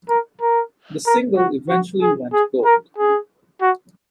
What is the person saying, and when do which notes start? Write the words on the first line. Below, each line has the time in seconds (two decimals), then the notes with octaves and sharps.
The single eventually went gold.
0.09 A#4
0.41 A#4
1.06 A#4
1.37 F#4
1.69 F#4
2.02 G#4
2.33 G#4
2.65 A#4
2.98 G#4
3.61 F#4